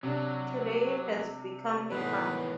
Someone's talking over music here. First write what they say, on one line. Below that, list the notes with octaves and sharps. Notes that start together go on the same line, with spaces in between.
Today it has become a farm.
C3 F#3 D4
E2 A2 D#3 G#3 B3 B4